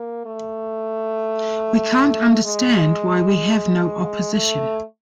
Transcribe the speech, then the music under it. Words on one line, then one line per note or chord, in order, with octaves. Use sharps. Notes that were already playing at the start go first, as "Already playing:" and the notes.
We can't understand why we have no opposition.
Already playing: A#3
A3
G#3
A3